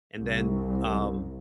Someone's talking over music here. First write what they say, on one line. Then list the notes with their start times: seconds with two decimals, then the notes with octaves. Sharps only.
and then, um,
0.18 C2